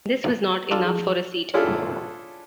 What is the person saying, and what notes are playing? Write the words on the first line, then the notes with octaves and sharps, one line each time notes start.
This was not enough for a seat.
C6 E6
D4 F4 A4
F3 E4 G#4
C#4 D4 E4 F4 G#4 A4